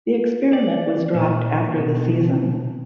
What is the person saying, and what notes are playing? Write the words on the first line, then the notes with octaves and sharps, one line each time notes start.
The experiment was dropped after the season.
D5
A#2
B2